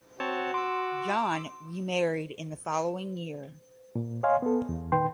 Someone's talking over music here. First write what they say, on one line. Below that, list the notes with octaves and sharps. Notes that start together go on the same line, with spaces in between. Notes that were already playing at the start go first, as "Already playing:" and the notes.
John remarried in the following year.
C4 F#4 C#5 A5
C6 D6 E6
A#2
C#5 D#5 F5 G#5 C6
B3 A4
E2
A#2 D#3 B4 G5 C6